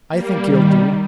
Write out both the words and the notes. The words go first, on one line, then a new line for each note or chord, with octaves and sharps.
"I think he'll do."
G3 A#3
D#3 G3